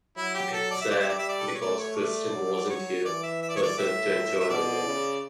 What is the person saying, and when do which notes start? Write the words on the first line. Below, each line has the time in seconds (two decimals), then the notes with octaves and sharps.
It's sad because Kristen wasn't here herself to enjoy the moment.
0.17 F#3 E4
0.34 G4
0.53 A4
0.71 D5
0.81 E5
0.89 G3 D5
0.99 E5
1.09 D5
1.18 E5
1.29 D5
1.40 A4
1.47 B4
1.54 C#5
1.61 A3 D5
1.79 C#5
1.97 A3 D5
2.33 F#3
2.70 C#5
3.05 E3 D5
3.23 E5
3.42 E5
3.49 D5
3.56 C#5
3.63 D5
3.77 A2 E5
4.40 E5
4.50 B2 D5
4.86 C#3